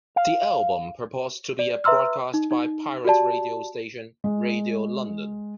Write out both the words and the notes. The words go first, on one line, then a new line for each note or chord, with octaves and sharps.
The album purports to be a broadcast by pirate radio station Radio London.
F5
D5
B4 E5 A#5 C6 E6 F6
D#4
D#4
F#4 G4 D5 A5
G#3